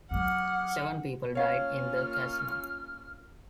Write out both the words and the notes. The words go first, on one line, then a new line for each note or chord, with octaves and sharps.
Seven people died in the casino.
F#3 E4 G#4 F#5 D6 F6
A#3 C#4 F4 C#5 F5 F6